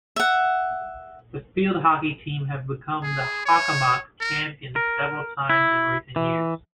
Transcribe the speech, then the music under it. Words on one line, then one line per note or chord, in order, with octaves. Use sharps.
The field hockey team have been the Hockomock Champions several times in recent years.
E5 F#5
G#4
C#5
A#4
A#4
E4
E3